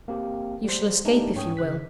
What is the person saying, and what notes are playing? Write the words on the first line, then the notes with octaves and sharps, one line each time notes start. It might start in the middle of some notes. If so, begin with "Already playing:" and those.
You shall escape, if you will.
A#3 C4 G4
G3 C5
A3 D4 D#4 G4
G#2 C#4 C#5 G5 C#6 D#6
C#3 E3 F#6 B6